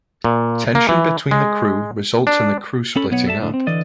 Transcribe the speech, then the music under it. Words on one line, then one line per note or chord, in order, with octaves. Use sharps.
Tension between the crew results in the crew splitting up.
A#2
A#3
E3
G#3
D4
C#4 A4 B5
B1 B3 C#5 F#5
A4 D5 E5 A5
A2 D3
C4
D3 E3 D5 D#5